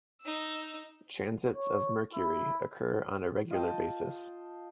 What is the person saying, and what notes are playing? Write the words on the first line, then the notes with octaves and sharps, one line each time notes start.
Transits of Mercury occur on a regular basis.
D#4 E6
C#5
E4
F4 D#5 G5 A5